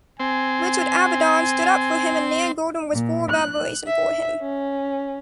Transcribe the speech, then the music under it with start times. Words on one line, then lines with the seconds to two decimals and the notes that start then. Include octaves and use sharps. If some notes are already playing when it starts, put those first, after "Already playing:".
Richard Avedon stood up for him and Nan Goldin was full of admiration for him.
0.20 C4 G#5
2.92 A#2
3.29 F#6
3.86 E5
4.40 C#4